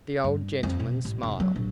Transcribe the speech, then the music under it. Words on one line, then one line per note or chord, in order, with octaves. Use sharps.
The old gentleman smiled.
G2
F2
B2
A1
F1
F#3
A#1